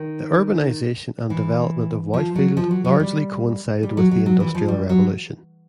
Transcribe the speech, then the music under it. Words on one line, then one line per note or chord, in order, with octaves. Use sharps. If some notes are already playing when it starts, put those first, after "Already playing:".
The urbanisation and development of Whitefield largely coincided with the Industrial Revolution.
Already playing: D#3
E3
F3
F#3
F3
F#3
F#3
G3
G3
F#3
F#3
F#3
E3
F3
G3
F#3